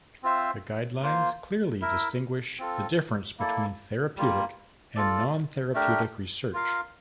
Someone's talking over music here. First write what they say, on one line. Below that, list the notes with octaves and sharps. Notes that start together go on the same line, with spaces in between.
The guidelines clearly distinguished the difference between therapeutic and non-therapeutic research.
C4 F4 C5 E5
A#3 F4 C5
E4 A#4 E5
C4 F4 A4
A#3 E4 A4 D5
G3 A#3 F4
F4 A4 D5
A3 D4 G4 A#4
F4 A#4 F5